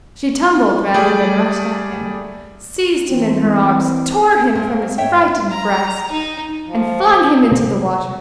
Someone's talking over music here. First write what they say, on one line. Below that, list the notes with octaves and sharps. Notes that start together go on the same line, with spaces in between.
She tumbled rather than rushed at him, seized him in her arms, tore him from his frightened grasp, and flung him into the water.
G3 A3 G#4 D5 G6
E3 A#3 C4
C3 A#3 C4 A5
G#2 C#5 E5 G5
A#5
D#4
F3
C3 C4